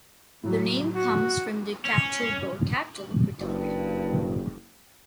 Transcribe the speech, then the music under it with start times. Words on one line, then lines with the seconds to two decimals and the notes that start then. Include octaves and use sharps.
The name comes from the captured Boer capital, Pretoria.
0.43 A2 F#3
0.94 F#4
1.85 C#4
3.40 F#1 G2